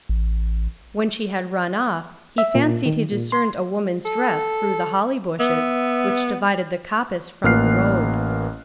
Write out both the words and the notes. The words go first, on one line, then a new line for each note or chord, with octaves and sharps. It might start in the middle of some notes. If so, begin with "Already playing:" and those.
When she had run off he fancied he discerned a woman's dress through the holly-bushes which divided the coppice from the road.
A1
E5
A#2
D#3
A#2
C6
A4
B3 E5
A1 A#3 B4 F6 F#6 C7